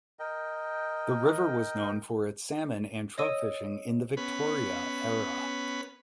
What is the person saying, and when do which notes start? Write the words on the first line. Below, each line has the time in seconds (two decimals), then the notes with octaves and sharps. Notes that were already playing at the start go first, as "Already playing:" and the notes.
The river was known for its salmon and trout fishing in the Victoria era.
0.19 A#4 D#5 G5
3.18 C#5 D#5 D#6 E6 D#7
4.17 B3 C#4 B4